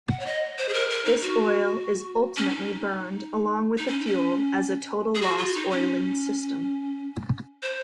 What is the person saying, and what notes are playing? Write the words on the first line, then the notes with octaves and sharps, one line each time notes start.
This oil is ultimately burned along with the fuel as a total-loss oiling system.
F#5
C#5
D#5
C5
G#4
A#4
A#4
D#4
F#4
C#4
D#4
D#4
C#4
C#4
G#4
F#4
F4
D#4
C#4
C5